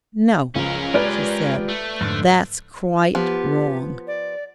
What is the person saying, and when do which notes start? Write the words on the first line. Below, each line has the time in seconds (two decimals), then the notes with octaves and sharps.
"No," she said, "that's quite wrong."
0.55 C#2 F3 C#4 A#4
0.94 G#3 F4 G4 B4 D5
1.69 A3
2.01 F2 G#2 D3
3.15 F3 B3 G4
4.07 D5